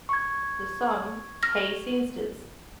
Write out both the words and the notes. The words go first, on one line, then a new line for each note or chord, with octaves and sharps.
The song Hey Scenesters!
C#6 G#6
F6 A#6